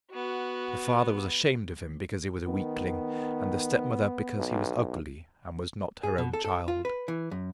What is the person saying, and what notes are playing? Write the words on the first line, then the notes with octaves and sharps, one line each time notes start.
The father was ashamed of him because he was a weakling, and the stepmother because he was ugly, and was not her own child.
B3 F#4
D#3 B3
B1
G#4
B2
A4
A4
F4
B4
E3
F#2